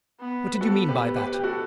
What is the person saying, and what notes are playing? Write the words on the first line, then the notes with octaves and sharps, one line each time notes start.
What did you mean by that?
B3
B4
B3 F#4 A4
G4 B4
G4 B4
G4
F#4 A4